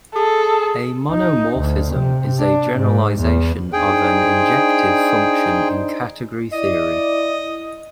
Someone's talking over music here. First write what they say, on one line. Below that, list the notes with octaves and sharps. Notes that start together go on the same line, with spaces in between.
A monomorphism is a generalization of an injective function in category theory.
G#4 A4
D#4
D2
C3
D4
G#2
E2
D4 D#4 G#4 C5 G5
E4 D5 D#5